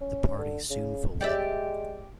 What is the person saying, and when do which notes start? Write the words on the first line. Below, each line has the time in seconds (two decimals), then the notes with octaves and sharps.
The party soon folded.
0.01 C#4
0.38 D3
0.70 C#3
1.21 G#3 G4 D5 E5